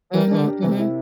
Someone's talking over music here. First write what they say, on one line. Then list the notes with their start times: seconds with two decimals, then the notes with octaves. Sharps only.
Mhm, mhm.
0.14 E3 A#4
0.31 E3 D4
0.38 D3
0.47 G4
0.63 C3 E3
0.78 E4